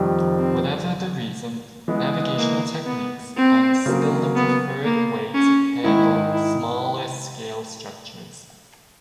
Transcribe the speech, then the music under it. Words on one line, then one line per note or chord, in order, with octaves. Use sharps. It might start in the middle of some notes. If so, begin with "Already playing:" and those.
Whatever the reason, navigational techniques are still the preferred way to handle smaller-scale structures.
Already playing: F2 C3 D#3 G3
C4
E3 G#3 B3
A#3
B3
C4
C#3 F#3 A#3
B3
A#3
C#4
G#2 D#3 G#3 E4
E4